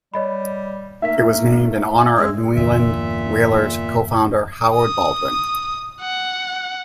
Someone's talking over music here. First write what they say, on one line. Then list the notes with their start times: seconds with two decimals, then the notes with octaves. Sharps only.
It was named in honour of New England Whalers co-founder Howard Baldwin.
0.14 G3 C#5 D#5 B5
1.02 A3 A#3 D#4 A#4 E5 B6
2.17 G#3 D5 E6
2.56 G1 E2 A#2 D3 E5
4.75 D#6
6.01 F#5